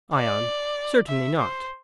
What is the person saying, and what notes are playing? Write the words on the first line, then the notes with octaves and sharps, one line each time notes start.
ION: Certainly not.
D5
E5
C5